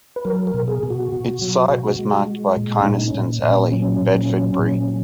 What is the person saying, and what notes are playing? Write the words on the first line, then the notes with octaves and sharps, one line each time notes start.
Its site was marked by Kynaston's Alley, Bedfordbury.
B4
F#3 A#4
A#4
B2
G#4
B2
F#4
B2
F#3
B2
G#3
G#3
A#2
C#4
A#2 D#4
C#4
A#2
A#2
C#4
F#3 C#4
A#2
F#3
A#2
F#3